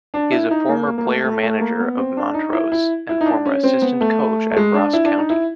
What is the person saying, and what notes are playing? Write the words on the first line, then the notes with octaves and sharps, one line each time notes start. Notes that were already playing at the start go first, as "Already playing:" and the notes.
He is a former player-manager of Montrose and former assistant coach at Ross County.
D4
E4
D#4
A#3
A#3
A#3
A3
A3
A3
A#3
B3
C4
D4
D#4
E4
E4
E4
D#4
D4
C#4
C4
B3
A3
A3
G#3
D4
E4
D4
D#4
E4